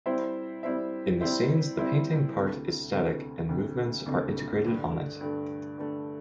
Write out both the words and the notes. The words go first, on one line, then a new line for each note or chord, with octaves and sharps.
In the scenes the painting part is static and movements are integrated on it.
G3 C4 E4 C5 E5
G3 C4 E4 C5 E5
G3 C4 E4 C5 E5
G3 C4 E4 C5 E5
D2 C3 A3
D2 C3 A3
D2 C3 A3
D2 C3 A3
G2 D3 A3
G2 D3 A3
G2 D3 A3